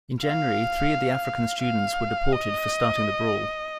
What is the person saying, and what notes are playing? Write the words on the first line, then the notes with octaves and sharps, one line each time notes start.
In January, three of the African students were deported for starting the brawl.
F5
F5
D#5